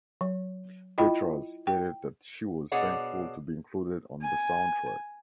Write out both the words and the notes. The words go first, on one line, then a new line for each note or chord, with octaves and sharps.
Petras stated that she was thankful to be included on the soundtrack.
F#3
E4 F4 D#5 G5 B5
G5
B2 D4 G#4 C#5 D5 F#5
G#5